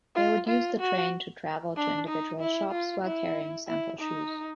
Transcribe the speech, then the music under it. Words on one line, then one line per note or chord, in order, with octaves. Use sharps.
They would use the train to travel to individual shops while carrying sample shoes.
F4
F4
F#4
D4
D#4
E4
F4
E4
E4
D#4